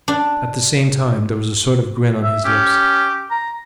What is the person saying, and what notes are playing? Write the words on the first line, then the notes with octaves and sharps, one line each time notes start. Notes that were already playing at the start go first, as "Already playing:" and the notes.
At the same time there was a sort of grin on his lips.
D4
E5
C#4 G4
A#5